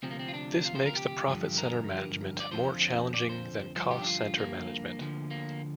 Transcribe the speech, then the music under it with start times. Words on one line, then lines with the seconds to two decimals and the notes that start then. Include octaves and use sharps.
This makes the profit center management more challenging than cost center management.
0.03 D2 C3 F3 C4
0.11 A#3
0.19 C4
0.28 F4
0.34 D4
0.65 F4
0.75 C5
0.86 A#4
0.96 G4
1.27 G2 D3 F3
1.58 A#4
2.40 D5
2.51 F2 D3 F3 C5
3.14 D5
3.29 C5
3.75 G2 D3 F3 C5
3.91 G4
4.02 D4
4.07 F4
4.38 A#3
5.00 D2 D3 F3
5.30 A#3